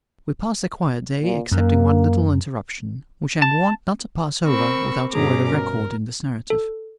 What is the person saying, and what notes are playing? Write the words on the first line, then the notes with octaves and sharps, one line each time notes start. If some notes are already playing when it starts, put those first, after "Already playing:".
We passed a quiet day, excepting one little interruption, which I am warned not to pass over without a word of record in this narrative.
A#2
F#2 A#3
A5
C4 A#4 B5 C#6 E6
G2 B2 C#4 G#4 A#5 D6
A#4
A4